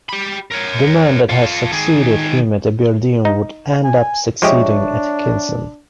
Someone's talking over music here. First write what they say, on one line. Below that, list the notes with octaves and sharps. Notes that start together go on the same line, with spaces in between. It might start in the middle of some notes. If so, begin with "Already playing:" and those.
The man that had succeeded him at Aberdeen would end-up succeeding Atkinson.
G4 B5
A#4 C#5
F4 A4
D#3 G#4
D#4
G#5
F3 G#3 D4 G4 C#5 E5 C#6